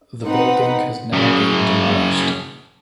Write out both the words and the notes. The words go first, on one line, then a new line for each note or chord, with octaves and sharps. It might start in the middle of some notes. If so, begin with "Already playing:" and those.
The building has now been demolished.
C4 D#4 B4 F#5
F#2 C#3